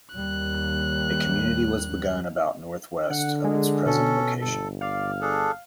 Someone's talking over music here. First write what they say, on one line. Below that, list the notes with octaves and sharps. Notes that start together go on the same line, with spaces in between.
A community was begun about northwest of its present location.
D#2 G3 F#6
D3 F#5
G#3
B2 C#4 A4
G1 A4
D5 F5
D4 G#4 A4